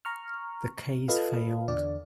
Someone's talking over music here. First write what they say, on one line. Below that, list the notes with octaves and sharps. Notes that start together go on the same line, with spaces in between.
The case failed.
A#5 C#6 F6
F4 A4 B4 D#5 F5
E2 D3 D5